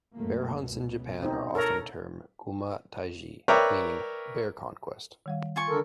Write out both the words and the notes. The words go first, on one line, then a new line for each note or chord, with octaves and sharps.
Bear hunts in Japan are often termed "kuma taiji", meaning "bear conquest".
F#2 A3 A#3
C#2 B2
C4 D#4
A4 A#4 C#5 A#5
A#4 B4 C#5 D5 E5 G5
D#3 G3 F5
F4 G#5 C#6
D3 A4 A#4